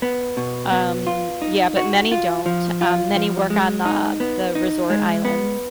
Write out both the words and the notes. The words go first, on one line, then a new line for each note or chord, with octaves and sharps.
Um, yeah, but many don't, um, many work on the the resort islands.
B3
B2
B3
F4
D#4
F#4
F4
F3
F4
F3
G#3
D#4
B3
D#4
G#3
B3